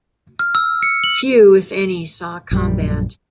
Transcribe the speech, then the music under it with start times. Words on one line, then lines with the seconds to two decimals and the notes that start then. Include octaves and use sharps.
Few, if any, saw combat.
0.39 F6
0.55 E6
0.83 C#7
1.04 F#7
2.51 A#1 F#2 G3